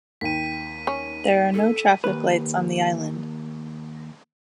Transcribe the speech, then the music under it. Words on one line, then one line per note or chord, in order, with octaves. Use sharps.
There are no traffic lights on the island.
D#2 G5 B6 D#7
C#4
A4
D#2 B4